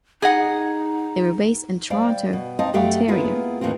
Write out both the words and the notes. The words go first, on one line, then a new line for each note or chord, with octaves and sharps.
They were based in Toronto, Ontario.
D#4 G#4 D#5 F#5
G3 C5 D5 F5 G5
B2
C4 D#4 D#5 F5 A5
F#2 A3 G4 E5 F5 G5
G#3 A#3 B3 E4 F4 G#4
D#2 A2 E3 A#3 C4